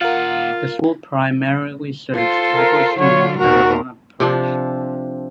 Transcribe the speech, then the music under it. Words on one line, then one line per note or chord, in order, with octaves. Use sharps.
The school primarily serves Catholic students of Terrebonne Parish.
A#2 F4 A#4 F5 F#5
F4 A4 C5
A#4
D3 F#3 F4 C#5
D#2 A#2 F#4 A#4
C3 F3 D4